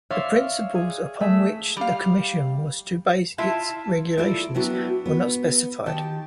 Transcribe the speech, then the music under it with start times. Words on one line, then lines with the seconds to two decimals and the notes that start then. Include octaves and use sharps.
The principles upon which the Commission was to base its regulations were not specified.
0.10 C#5 D5 E5 F5 C6
0.75 G#4
1.20 A3 G#4 E5
1.77 G3 F5
3.38 E4 F4 E5 A5
4.18 E4 F4 A4 A#4 D5
4.55 F#3 G3 B3 D4 E4 F#4
5.06 B3
5.86 D#3 G4 G5 A5